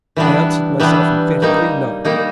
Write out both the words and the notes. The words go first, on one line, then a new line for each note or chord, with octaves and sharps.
I answered myself emphatically, no.
E3 G3 B3 D4
E3 G3 B3 D4
G3 A#3 D#4
G3 A#3 D#4